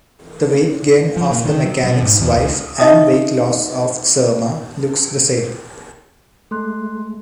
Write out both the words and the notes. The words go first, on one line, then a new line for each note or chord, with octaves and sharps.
The weight gain of the mechanic's wife and weight loss of Tsermaa looks the same.
F3
A#2
D#3
F#3
B2
G#2
E2
C#2
D#4 D#5 E5 D#6
G#3 A3 A4 C6 F#6